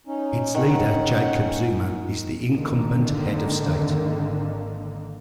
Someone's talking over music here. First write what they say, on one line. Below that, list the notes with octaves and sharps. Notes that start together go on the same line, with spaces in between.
Its leader Jacob Zuma is the incumbent head of state.
C#4 D#4
D#3 C#4 F#5
G#1 D3 D#3 A#3